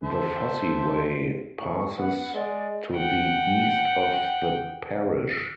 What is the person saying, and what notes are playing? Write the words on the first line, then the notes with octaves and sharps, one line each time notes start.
The Fosse Way passes to the east of the parish.
A4 C5 E5
A2 C#6
B3 F#5
G#3 D5
F#5 G5